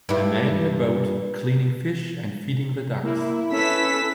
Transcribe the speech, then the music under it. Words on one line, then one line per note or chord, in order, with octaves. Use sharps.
A man in a boat cleaning fish and feeding the ducks.
G2 E4
A#3 E4
C#4 A4 B4 E6 B6